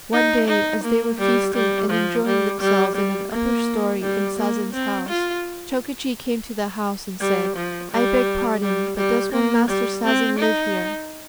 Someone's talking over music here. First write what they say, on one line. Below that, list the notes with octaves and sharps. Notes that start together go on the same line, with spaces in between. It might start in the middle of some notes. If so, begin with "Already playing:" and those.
One day, as they were feasting and enjoying themselves in an upper storey in Sazen's house, Chokichi came to the house and said, "I beg pardon; but does one Master Sazen live here?"
D#4
D#4
A#3
G3
G3
F3
G3
G3
G3
A#3
G3
A#3
C4
F4
G3
F3
G3
G3
G3
A#3
G3
C4
D#4